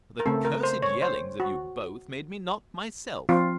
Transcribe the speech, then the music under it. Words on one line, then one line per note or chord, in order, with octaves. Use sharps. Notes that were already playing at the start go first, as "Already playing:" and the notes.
But the cursed yellings of you both made me not myself.
A#4
C#3 A3 C4 A4
A#4
C5
C#5
C5
F#4
F3 C4 F4